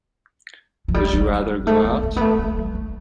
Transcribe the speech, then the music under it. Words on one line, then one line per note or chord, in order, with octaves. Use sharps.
Would you rather go out?
F3
G3
G3
G3
A3
B3
A3
B3
A3
G3
G3
A3